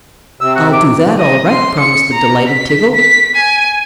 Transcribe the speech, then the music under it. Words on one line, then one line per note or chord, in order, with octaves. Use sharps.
"I'll do that, all right," promised the delighted Tiggle.
C3 E6
F#4
D6
D#5
C6
C#7
A#5
B6
B6
G#5